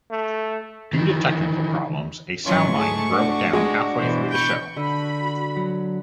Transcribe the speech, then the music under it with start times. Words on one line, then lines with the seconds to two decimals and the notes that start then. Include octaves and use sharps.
Due to technical problems, a sound line broke down halfway through the show.
0.10 A3
0.93 D#3 E3
2.45 G#2 E3 F#3 C#4 F4 C#6
2.75 A3 G#4 A5
3.11 D4 F#4
3.53 G#3
3.96 B2 E3 C5
4.29 G5 B5 C#6
4.76 D3 F#4 B5
5.57 F#3